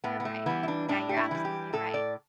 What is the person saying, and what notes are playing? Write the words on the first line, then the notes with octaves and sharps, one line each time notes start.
You're right. Yeah, you're absolutely right.
A2 B3
B3
A3
E3 G3 B3
E4
D4
A2 D4
G4
E4
E3 G3
G4
A2 A4
D5